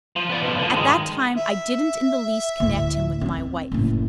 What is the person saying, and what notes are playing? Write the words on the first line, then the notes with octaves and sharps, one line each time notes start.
At that time I didn't in the least connect him with my wife.
F3
B3 D5
B2 F3
D3 F3
D#3 G#3
E5
D2 A2
B3 C4
F#1 A2